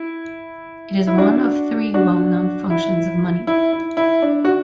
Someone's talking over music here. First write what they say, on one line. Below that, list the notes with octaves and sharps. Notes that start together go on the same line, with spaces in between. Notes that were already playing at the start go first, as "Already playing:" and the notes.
It is one of three well-known functions of money.
Already playing: E4
E4
D4 F#4
D4 F#4
E4
E4
E4
E4
D4
F#4